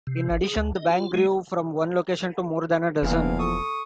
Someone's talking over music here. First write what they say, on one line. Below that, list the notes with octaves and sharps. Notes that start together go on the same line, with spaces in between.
In addition the bank grew from one location to more than a dozen.
C3
G#1
G#4
D2
D#5
F4
G#3
F1 E2 A#2 E3 F3 B3 F5
A4 C#6 D#6